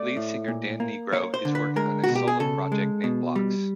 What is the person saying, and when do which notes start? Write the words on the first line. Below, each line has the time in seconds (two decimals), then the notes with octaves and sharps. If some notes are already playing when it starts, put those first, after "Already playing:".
Lead singer Dan Nigro is working on a solo project, named Blocks.
Already playing: A3 D5
0.17 A2
0.48 A#2
0.80 A#3
1.13 A#3 C#5
1.34 C5
1.45 D3
1.55 B4
1.76 G#3 A#4
2.04 B2 F#4
2.15 G4
2.28 G#4
2.40 C#3 A4
2.72 G#3
3.04 B2
3.36 G3